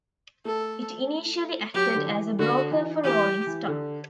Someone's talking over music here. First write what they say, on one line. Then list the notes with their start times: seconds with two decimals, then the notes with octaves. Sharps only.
It initially acted as a broker for rolling stock.
0.45 A3 A4
1.74 F#3 G4
1.96 D3
2.07 E3
2.39 D3 F#4
2.71 E3
3.04 E3 G4
3.47 E3
3.68 D3